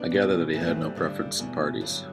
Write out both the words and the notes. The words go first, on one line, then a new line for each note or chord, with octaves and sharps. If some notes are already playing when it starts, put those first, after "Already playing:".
I gathered that he had no preference in parties.
Already playing: B3 D4
E2 B2
F#2 E3 B3 C4 E4
A3 C4
G3
G2 D3
E2 B2
G2 D3 F#3